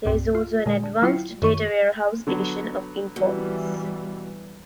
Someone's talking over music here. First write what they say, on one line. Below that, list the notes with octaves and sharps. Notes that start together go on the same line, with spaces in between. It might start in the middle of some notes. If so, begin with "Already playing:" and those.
There is also an advanced data warehouse edition of Informix.
C2 G2 A#2
F4
A#2 D3 G#3
D3
F#3 E4 F4 G5 C7 C#7
F#2 D#3 C#6 D#7
D3 F#3 B3
B2 E3 G3